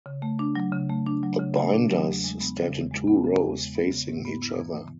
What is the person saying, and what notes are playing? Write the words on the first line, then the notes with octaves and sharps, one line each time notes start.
The binders stand in two rows facing each other.
C#3
A3
D4
F#3
C#3
A3
D4
F#3
C#3
A3
D4
F#3
E2
G#3
B3
C#3
E2
G#3
B3
C#3
E2
G#3
B3
C#3
G#2
B3
E4
E3